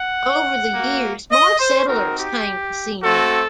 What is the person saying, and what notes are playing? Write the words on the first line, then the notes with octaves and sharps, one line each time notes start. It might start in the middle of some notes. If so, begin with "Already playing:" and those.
Over the years more settlers came to Seymour.
Already playing: F#5
A#3 F#4
D#5
C5
C4 D#4 F#4 A#4
G4
A3 C4 F#4 A4